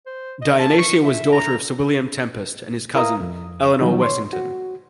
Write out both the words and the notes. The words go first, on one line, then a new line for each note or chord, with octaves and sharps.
Dionysia was daughter of Sir William Tempest and his cousin, Eleanor Wessyngton.
C5
D#5
A5
C#6
E5
A#5
E4 A#4 F5 A#5 D#6
F2
D#3 E3 F#3 G3 D#4 F4
C#5 C6
F#4